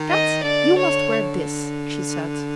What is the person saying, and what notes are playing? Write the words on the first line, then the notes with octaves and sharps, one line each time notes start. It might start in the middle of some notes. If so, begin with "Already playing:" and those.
"Kat, you must wear this," she said.
Already playing: D#3
D#5
D3 D5
C#5